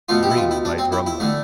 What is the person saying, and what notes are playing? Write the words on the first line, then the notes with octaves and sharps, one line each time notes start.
Green by Drumleck.
B2 A3 F4
G4
E4
F4
E4
D4
C4
E4
E4
D3 A3